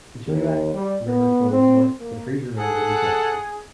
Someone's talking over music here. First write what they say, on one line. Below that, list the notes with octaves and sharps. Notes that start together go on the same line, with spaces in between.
The Chilliwack River flows north to the Fraser River in Canada.
D#2
G3
B3
C4
A#3
G#4 A4 F#5